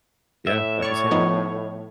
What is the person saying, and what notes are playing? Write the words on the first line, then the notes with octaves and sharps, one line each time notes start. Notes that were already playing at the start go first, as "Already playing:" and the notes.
Yeah, that was him.
A2 E5
C#5 D5 C#6
F3 B3 D#4